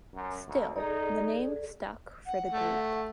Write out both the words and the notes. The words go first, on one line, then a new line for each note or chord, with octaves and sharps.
Still, the name stuck for the group.
F#2
D2
D#4 G#4 A4 D5
F#5
A3